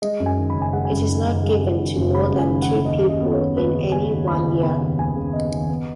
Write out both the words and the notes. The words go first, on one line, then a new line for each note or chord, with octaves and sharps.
It is not given to more than two people in any one year.
G#3 D#5
F#2
G#5
D#3
B5
F#1
G#5
G#3 F#5
G#5
F#2
D#3
F#1
G#3
F#2
D#3
F#1
G#3 B5
F#2
G#5
D#3
F#5
F#1
D#2 D#5
C#3
D#5
B3
C#5
D#2
D#2 B4
C#3
B3 G#5
D#2
D#2 B5
C#3
B3 B5
D#2
D#2 G#5
C#3
B3 D#5
D#2
B3